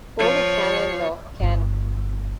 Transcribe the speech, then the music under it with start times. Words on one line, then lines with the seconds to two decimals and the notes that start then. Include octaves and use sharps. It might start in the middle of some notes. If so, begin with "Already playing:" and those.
"Code of Canon Law", can.
0.18 F3 C#5
1.40 G1 F4